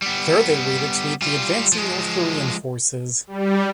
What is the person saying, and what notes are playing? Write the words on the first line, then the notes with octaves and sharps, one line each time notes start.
There they waited to meet the advancing North Korean forces.
G3 B3
G3 F4
F3 G#3
G3